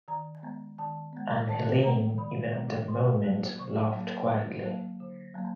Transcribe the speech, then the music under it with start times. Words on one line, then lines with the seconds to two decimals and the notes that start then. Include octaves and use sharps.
And Helene, even at that moment, laughed quietly.
0.08 D#3 A#5
0.43 G#3 B3
0.78 D#3 A5
1.13 G#3 B3
1.49 D#3 A5
1.83 G#3 B3 A#5
2.18 D#3 B5
2.54 G#3 B3
2.88 D3 C6
3.24 F#3 A#3
3.59 D3 C#6
3.94 F#3
3.99 A#3
4.30 D3
4.64 F#3 A#3
5.00 D3
5.34 F#3 A#3